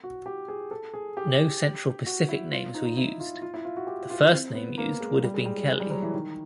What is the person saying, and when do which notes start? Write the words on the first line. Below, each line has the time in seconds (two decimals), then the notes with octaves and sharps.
No central Pacific names were used; the first name used would have been Keli.
0.04 F#4
0.26 G4
0.48 G#4
0.71 A4
0.94 G#4
1.17 G4
2.06 F#4
2.29 E4
2.52 F4
2.74 D#4
2.85 D#4
2.97 E4
3.20 F4
3.42 F4
3.54 E4
3.65 F4
3.77 F#4
3.87 G4
4.10 F4
4.32 C4
4.55 B3
4.78 A#3
5.00 G#3
5.23 G3
5.34 G#3
5.46 G3
5.57 G#3
5.68 G#3
5.80 G3
5.90 F#3
6.03 E3
6.14 D#3